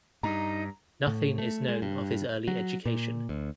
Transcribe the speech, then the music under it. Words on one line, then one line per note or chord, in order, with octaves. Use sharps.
Nothing is known of his early education.
G2 D#4 A#5
A2
A3
G#3
G2
F#3
A#2
D2